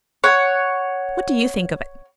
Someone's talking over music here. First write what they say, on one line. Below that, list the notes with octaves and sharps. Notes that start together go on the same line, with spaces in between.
What do you think of it?'
C#5 F#5